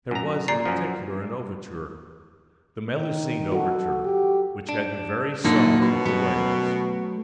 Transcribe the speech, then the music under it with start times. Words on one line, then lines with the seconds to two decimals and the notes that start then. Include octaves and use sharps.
There was in particular an overture--the Melusine overture--which had the very sob of the waves.
0.11 F#2 A#5
0.48 A#2 D5 A#5 C7
0.65 F#2 F3
2.94 D#3
3.52 F#4 A4
4.05 G4
4.69 D4
5.44 A#2 D3 F#3 A#3 D#4 D#5
5.81 F#2 B2
6.06 F#3 A3 B3